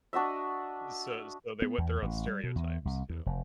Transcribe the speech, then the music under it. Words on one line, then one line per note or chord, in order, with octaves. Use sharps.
so so they want their own stereotypes, you know?
D4 F#4 D#5 E5
B3
E2
A1
G3
B2
E2
C2
E2
F1